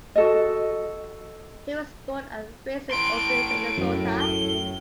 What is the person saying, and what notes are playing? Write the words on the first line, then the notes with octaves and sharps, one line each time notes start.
He was born and raised in Austin, Minnesota.
F#4 A4 D#5
A2 C6 D7
F#2
G7